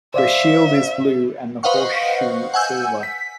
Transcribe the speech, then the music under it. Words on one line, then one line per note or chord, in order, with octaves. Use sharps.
The shield is blue and the horseshoe silver.
C5 D5 E5 F5
B4 C5 D#5 F5 F#5 C#6
F#5 G#5 E6 G6
B6